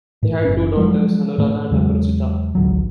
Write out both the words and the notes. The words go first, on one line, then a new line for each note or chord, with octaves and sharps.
They had two daughters, Anuradha and Aparijitha.
A2
F#1 C#4
F3 F#3 G#3
A2 D#3 A3
E2 C#3 F#3 G#3
A1 D2 F#3